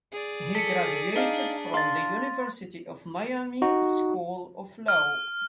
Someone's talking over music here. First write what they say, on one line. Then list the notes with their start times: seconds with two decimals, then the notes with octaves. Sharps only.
He graduated from the University of Miami School of Law.
0.12 G#4 D5
0.55 A4 B6 C#7
1.16 D4 D#4 F5
1.74 F5 C6 A6
3.62 D#4 F#4
4.88 F6